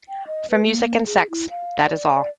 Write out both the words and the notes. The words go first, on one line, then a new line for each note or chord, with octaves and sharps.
For music and sex, that is all.
G5
D#5
B4
A#3
G#4
E4
F5
D5
D5